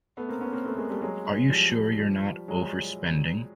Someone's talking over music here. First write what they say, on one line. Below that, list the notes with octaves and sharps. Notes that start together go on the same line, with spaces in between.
Are you sure you're not overspending?
A3 B3
A#3 C4
B3 C#4
A#3 C4
A3 B3
G#3 A#3
G3 A3
F#3 G#3
F3 G3
F3 G3
F#3 G#3